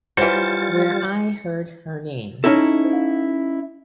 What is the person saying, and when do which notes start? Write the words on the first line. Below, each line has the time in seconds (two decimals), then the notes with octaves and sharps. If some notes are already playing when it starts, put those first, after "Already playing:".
Where I heard her name.
0.17 E3 F#3 G3 F4 C5 A6 C#7
2.44 C#4 D#4 E4 A4